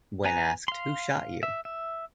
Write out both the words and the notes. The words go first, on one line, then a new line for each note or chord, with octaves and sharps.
When asked Who shot you?
B3 B4 G#5 A#5
F5 C6
E5
E5